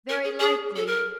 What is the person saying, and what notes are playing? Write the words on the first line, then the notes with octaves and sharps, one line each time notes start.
Very likely.
A#4
G#4
G#4
A4
A#4